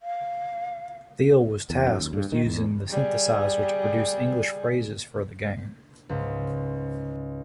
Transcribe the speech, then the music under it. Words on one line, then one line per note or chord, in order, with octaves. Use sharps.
Thiel was tasked with using the synthesizer to produce English phrases for the game.
F5
E2
F#2
D#2
G2
D#3
E2
G3 G#4
C#2 G#2